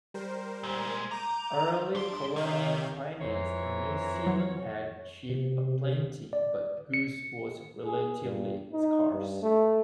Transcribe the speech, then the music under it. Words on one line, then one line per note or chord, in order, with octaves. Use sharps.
Early colonial pioneers in New Zealand had sheep aplenty, but goose was relatively scarce.
G3 A#4 C5
A#2 G#3
A#5 D6 G6 D#7
G#2 D4 C6 D7
C3 C#5 F5 G6
F2 E3 C5 C#5 A#5
F#3
C3
D5
C#7
G#4
G2
D#4
G2
A3